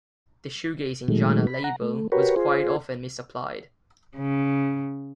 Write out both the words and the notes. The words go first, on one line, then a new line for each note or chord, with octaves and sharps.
The shoegazing genre label was quite often misapplied.
A#2 D#3 F#3 G#3 A3
B5
F#5 A#5
A3
F#4 G4 A#4 B4 C#5
F4 G#4 C5
C#3